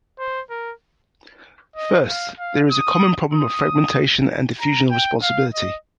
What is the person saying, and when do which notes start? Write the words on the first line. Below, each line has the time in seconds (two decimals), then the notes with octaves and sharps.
First, there is the common problem of fragmentation and diffusion of responsibility.
0.19 C5
0.50 A#4
1.76 D#5
2.08 F5
2.39 F5
2.70 D#6
3.34 D#6
4.60 A#5
4.91 G5
5.22 F5
5.54 D#5